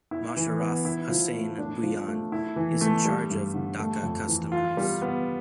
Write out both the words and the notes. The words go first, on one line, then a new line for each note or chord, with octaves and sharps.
Mosharraf Hossain Bhuiyan is in charge of Dhaka Custom House.
E4
E3
B3
E4
F3
A3
D4
F3
A3
E4
E3
A3
G3
G2
D3
A3
F2
E3
F4
G3
B3